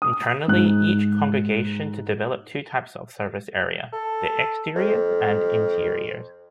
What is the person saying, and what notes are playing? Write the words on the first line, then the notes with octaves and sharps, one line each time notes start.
Internally each congregation to develop two types of service area: the exteriors and interiors.
D#6
G#2 F#6
A4
F2